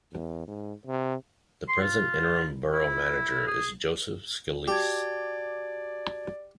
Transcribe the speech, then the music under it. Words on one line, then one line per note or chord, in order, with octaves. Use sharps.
The present interim Borough manager is Joseph Scalise.
E2
G#2
C3
C6
F4
E4
G#4
F#4 G4 D5 A5 G#6